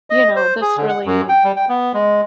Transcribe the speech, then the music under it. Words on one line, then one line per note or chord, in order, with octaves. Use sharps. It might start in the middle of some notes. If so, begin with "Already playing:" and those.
you know, "this really"
D#5
C5
G#4
D3
F#5
F#2
G5
G3
G5
B3
G#3